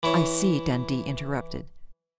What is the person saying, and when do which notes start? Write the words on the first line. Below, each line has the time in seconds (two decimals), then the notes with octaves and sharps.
"I see," Dundee interrupted.
0.03 E3 E4 C#5